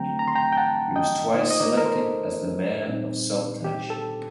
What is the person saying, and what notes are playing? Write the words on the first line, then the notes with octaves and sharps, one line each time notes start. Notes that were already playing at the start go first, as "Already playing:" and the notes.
He was twice selected as the Mayor of Saltash.
Already playing: D3 F#3 A3 C4 G5 A#5
A#5
C6
G5 A#5
G5
F#5 A5
D#5 G5
D3 A3 D#4 C5 D#5
D#5
A#4 D5
A#4
A4 C5
A#2 G3 C4 D#4
G4
A4